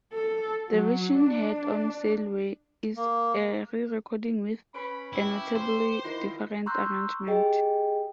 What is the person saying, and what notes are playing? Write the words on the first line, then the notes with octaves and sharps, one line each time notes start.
The version heard on "Sail Away" is a re-recording with a notably different arrangement.
A4
F#3
D4
A#3
C#4 B4 B5 D7
E4 G4
C5
D#3 E4 F4
A#5 C6 C#6 E6 F#6 G6
G4 G#4 D#5 G5